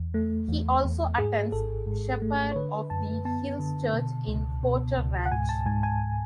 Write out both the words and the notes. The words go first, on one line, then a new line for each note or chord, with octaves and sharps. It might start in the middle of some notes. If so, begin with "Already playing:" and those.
He also attends Shepard of the Hills Church in Porter Ranch.
Already playing: E2
A3
E2
E2
G#2 G#4
G#1 A4
G#2
A3
C#5
D3 B4
F#2 A5
B3 A5
D3
B2
C#2
B2
C#2
F#5
G#2 G#5
A5
G#2 G#5
G#5